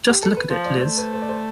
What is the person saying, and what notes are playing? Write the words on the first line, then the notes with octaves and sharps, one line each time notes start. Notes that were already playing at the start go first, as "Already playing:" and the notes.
Just look at it, Liz.
G4
A4
B4
F3 C5
D5
A3 C5
B4
C5
D5
C5